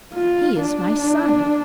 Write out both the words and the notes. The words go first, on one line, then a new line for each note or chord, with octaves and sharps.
He is my son.
F4
D4